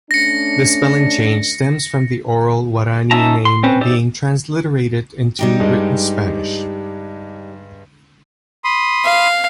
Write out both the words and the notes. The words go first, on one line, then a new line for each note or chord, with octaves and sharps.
The spelling change stems from the oral Guarani name being transliterated into written Spanish.
A3 C#4 D4 A#6 C#7
C#4 D#4 E5 A5 A#5
C6
C4 C#4 B4 C5
D#4 G4 C5 D5 E5
G3 D#4 G4
G2 G#3
B5 C6 D#6
F5